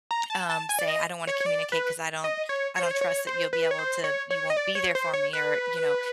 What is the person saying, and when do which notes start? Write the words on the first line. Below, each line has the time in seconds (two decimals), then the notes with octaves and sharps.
um, say, "I don't wanna communicate 'cause I don't I don't trust that you'll be able to you won't be there for me," or you know,
0.11 A#5
0.30 A5
0.50 A5
0.69 G#5
0.79 D5
0.88 D#5
1.27 C#5
1.40 C#5
1.46 D5
1.72 B4
2.24 D#5
2.49 C#5
2.76 C#5
2.83 C5
2.91 C#5
3.01 C#5
3.27 C5
3.53 B4
3.71 C#5
3.79 C5
4.04 C#5
4.31 C#5
4.50 D#5
4.57 D5
4.75 C#5
4.95 C5
5.14 C#5
5.33 B4